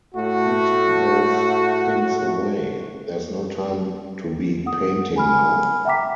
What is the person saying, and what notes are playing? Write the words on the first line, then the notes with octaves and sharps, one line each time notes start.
Put those things away, there’s no time to be painting now.
A2 A3 F#4
F#5 D#6
G#5 B5 F6
E5 F#5 G5 A#5 D6 B6